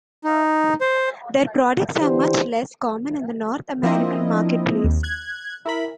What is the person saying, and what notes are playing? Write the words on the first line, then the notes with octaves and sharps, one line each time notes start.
Their products are much less common in the North American marketplace.
D#4
C5
D3 E3 G4 C5
F3 A#3 C4 D4 E4 D#5
D#2
F#6 G#6
E4 A#4 B5